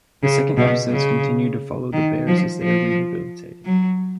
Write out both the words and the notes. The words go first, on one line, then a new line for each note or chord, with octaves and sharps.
The second episodes continued to follow the bears as they were rehabilitated.
C#3
B2
C#3
D#3
F3
F3
F#3